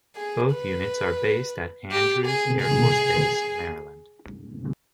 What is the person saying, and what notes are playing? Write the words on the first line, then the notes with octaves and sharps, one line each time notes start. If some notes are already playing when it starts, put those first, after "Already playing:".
Both units are based at Andrews Air Force Base, Maryland.
G#4
B4
G4
G#4
G#4